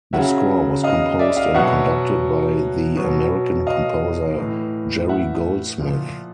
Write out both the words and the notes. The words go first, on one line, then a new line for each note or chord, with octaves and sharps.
The score was composed and conducted by the American composer Jerry Goldsmith.
C#3 F#3 E5 F#5
D#5 F5
D5 E5
D#5 F5
B2 F#3 E5 F#5
B2 F#3
D#5 F5
A2 E3
E5 F#5
A#2 F3